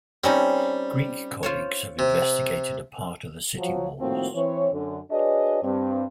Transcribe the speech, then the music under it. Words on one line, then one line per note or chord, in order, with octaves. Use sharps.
Greek colleagues have investigated a part of the city walls.
G3 C4 C#4 D#4
F4 C5 C#5
C3
F3 F#3
A2 D#3 F3 A#3 C4 F#4
E3 C4 C#5
F#2 D3
D4 F#4 G#4 B4 C#5 D#5
G2 C4